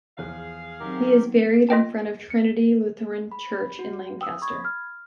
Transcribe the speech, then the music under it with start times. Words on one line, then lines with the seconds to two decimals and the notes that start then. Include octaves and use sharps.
He is buried in front of Trinity Lutheran Church in Lancaster.
0.18 E2 F3 G#4 F5 F#6
0.80 D#3 F#3 C4 G4 A#4
1.69 F4 D#5 G5 A5
2.30 C#7
3.32 B5
3.79 F#4
4.21 G5 D#6 E6
4.42 B5 C#6 G#6
4.65 F6